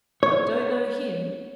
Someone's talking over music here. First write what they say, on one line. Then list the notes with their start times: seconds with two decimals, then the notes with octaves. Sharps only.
Don't know him.
0.23 C#5